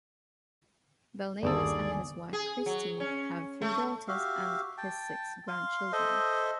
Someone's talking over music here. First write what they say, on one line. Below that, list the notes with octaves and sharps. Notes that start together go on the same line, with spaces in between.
Belnavis and his wife Christine have three daughters and his six grandchildren.
G1 D#2 G#4 A4 D5
G#4
F#3
C#4
A3
F#4 G4 E5 F5
G5 A5
F5 C6
A4 C5 D#5 E5